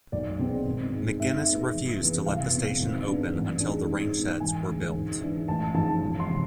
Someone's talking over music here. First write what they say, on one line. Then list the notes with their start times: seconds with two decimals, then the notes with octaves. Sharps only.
McGuinness refused to let the station open until the rainsheds were built.
0.12 B1 D5
0.39 B2 G#3 C4
0.66 G#1
0.92 G#2 G#3
1.19 G#2 E5
1.47 G#3 B3
1.73 F1
2.00 F2 E3 G#3 B3
2.26 C2 F5
2.53 B2 G#3 C4
2.79 G#1
3.06 G#2 G#3 B3 D4
3.34 A1
3.60 G#2 G#3 D4
3.88 G#2
4.14 G#3 B3
4.40 E1 G#5
4.68 D2 D3 G#3
4.95 G#2
5.21 E3 G#3 D4
5.48 A1 A5
5.74 G#2 F3 A5
6.02 E1
6.20 C6
6.29 C3